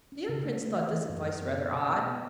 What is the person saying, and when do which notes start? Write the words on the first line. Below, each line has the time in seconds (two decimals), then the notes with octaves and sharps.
The young prince thought this advice rather odd.
0.12 C#4
0.29 C#3
0.44 A3
0.61 A3
0.77 E3
0.93 E3
1.09 F#2
1.25 F#2
1.41 B3
1.57 B2
1.73 B2
1.89 B3
2.06 B3